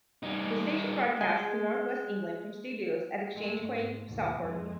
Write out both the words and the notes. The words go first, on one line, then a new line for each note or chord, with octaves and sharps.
The station broadcasts to North West England from studios at Exchange Quay, Salford.
G3 D#4
G#3 G#5
G#3 A3
G#2
D#2 B2
F2 G#3